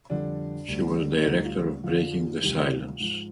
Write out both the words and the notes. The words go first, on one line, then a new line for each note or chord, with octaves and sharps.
She was director of Breaking the Silence.
F2 D3 G3 D4
D2 D3 G3
D4
D2 D3 G3 D#4
F4
F2 D3 F3 F4
D2 C3 D#3 G3
G#2 F3